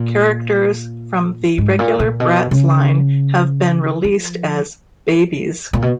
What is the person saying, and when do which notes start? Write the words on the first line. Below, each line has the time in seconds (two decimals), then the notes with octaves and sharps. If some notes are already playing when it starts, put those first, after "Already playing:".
Characters from the regular Bratz line have been released as Babyz.
Already playing: A#2
1.58 G#2
1.79 A#2
2.00 A#2
2.20 B2
2.51 C#3
4.04 F3
5.73 A#2
5.82 B2